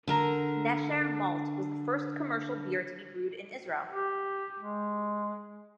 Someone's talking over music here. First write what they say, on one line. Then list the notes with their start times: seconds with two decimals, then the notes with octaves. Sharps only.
Nesher Malt was the first commercial beer to be brewed in Israel.
0.07 D3 A#4 A#5
3.91 G4
4.59 G#3